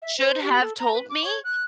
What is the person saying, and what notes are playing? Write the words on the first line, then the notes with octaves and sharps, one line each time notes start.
should have told me?"
E5
C5
G4
A4
A#5
B4
D6
C#5
F#6